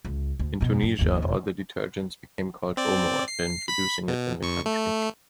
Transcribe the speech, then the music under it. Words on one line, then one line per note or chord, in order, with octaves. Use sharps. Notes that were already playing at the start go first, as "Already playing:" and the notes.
In Tunisia, all the detergents became called Omo after introducing it in the country.
C#2
D2
F2 B2
F#2
G1 D#2
F1
C4 D5
C7
B5 B6
B2
F2 C#6
A3